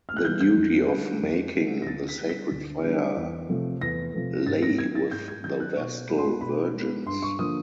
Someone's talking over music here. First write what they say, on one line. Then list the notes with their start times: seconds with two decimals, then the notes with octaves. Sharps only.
The duty of making the sacred fire lay with the Vestal virgins.
0.09 F6
0.17 F#6
0.24 E3 G3 B3 G6
0.40 G6
0.56 F2
0.89 D3 G3
1.22 F2
1.55 D3 G3
1.82 A#6
1.86 D2 A6
2.09 B6
2.19 D3 G3
2.29 B6
2.51 D2
2.84 D3 G3
3.17 E2
3.49 C3 F3 A3
3.81 E2 A#6
4.14 C3 F3 A3
4.46 G#2 A6
4.63 A#6
4.78 D#3 F#3 G#6
4.95 A6
5.11 G#2 G6
5.28 G#6
5.44 D#3 F#3 G6
5.60 F#6
5.76 B2 C#6
6.09 G#3 B3 B5
6.18 C6
6.25 B5
6.41 B2 B5
6.74 G#3 B3
7.06 G2 C6
7.23 C#6
7.39 D3 F3 A#3 D#6